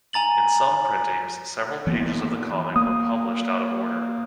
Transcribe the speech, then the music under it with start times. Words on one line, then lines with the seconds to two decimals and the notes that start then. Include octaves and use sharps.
In some printings, several pages of the comic were published out of order.
0.13 G#5 A#5 A6 F#7
1.87 E3 A#3 B3
2.76 A#3 D#6